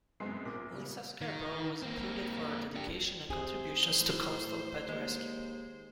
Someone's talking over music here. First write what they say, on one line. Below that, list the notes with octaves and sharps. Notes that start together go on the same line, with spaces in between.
Lisa Scarbrough was included for her dedication and contributions to Coastal Pet Rescue.
G1 F#2 G#3 B3 C4 C7
A#1 A#2 G#4 D6
C#3 G3
D#3
A#3 C4
D4 G4
C3 G#4 C5
A2
D#2 G#3